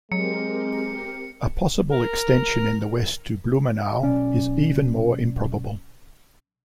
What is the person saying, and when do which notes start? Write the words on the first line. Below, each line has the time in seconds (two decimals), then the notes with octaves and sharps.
A possible extension in the west to "Blumenau" is even more improbable.
0.12 F#3 G#3 C4 G4 A#4 C#7
1.91 A#4
4.02 B1 C#4 D5